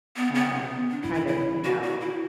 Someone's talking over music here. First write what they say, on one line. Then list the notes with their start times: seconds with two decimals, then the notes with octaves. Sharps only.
um, kind of, you know,
0.16 B3
0.35 B3
0.90 D4
1.02 E4
1.14 E4
1.27 E4
1.64 F#4
1.83 F#4
2.01 E4